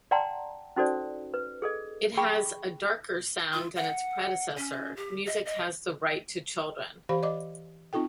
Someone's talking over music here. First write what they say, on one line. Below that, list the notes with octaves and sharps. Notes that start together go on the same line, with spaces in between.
It has a darker sound than its predecessor, "Music Has the Right to Children".
D5 F#5 G5 A5 A#5 C6
C#4 D#4 F#4 A4 C5 D5
B4
G#4 A4 D#5
G#4 G5 B5 C#6
F4
F#5
C#4
G4
D#5
D#5
E3 G4 C5 F5 B5
D5 D#5 D6
C4 D#4 F4 A4 G5